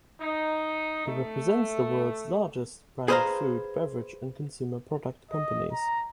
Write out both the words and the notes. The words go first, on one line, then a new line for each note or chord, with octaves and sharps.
It represents the world's largest branded food, beverage and consumer product companies.
D#4
A3
G#4 B4 C5 D#5 F5 A#5
D#5
A#5